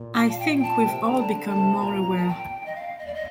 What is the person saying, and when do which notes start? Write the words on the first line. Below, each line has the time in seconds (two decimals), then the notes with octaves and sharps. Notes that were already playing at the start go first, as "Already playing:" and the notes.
I think we've all become more aware.
Already playing: A#2
0.16 A5
0.32 F5
0.39 G5
0.63 A5
0.86 C3 G5
1.08 D3 A#5
1.19 A5
1.34 D3
1.50 A5
1.58 C3
1.81 A#2 A#5
2.17 A5
2.29 G5
2.66 D#5
2.75 F5
2.99 D#5
3.06 D5
3.15 D#5